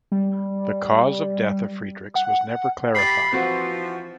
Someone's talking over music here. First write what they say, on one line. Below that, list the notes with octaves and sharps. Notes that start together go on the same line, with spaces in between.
The cause of death of Friedrichs was never clarified.
G3
F#5
G4 B5 A6 C7
E3 F3 C4 F#4